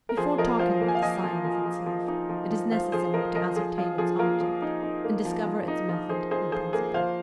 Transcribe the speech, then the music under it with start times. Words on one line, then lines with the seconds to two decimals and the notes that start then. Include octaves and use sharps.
Before talking of the science itself, it is necessary to ascertain its object, and discover its method and principle.
0.09 A#4
0.17 F3 G#4 C5
0.38 F3 A#4 D#5
0.59 F3 C5 F5
0.81 A#3
0.88 G#5
0.95 F5
1.02 F3 D#5 G#5
1.24 F3
1.45 F3
1.66 F3
1.86 F3
2.08 D#4
2.29 F3
2.50 F3
2.71 F3 C5 F5
2.92 F3 G#4 C5
3.14 F3 A#4 D#5
3.35 F3 A#4 D#5
3.56 F3 G#4
3.78 F3 F4
3.98 F3 G#4
4.19 A#3 F4 A#4
4.40 F3
4.62 D#4
4.83 D#4
5.04 A#3
5.25 F3
5.46 F3
5.68 D#4
5.89 F3
6.09 F3 G#4 C5
6.31 D#4 G#4 C5
6.52 F3 G#4 C5
6.73 A#3 G#4
6.94 F3 C5 F5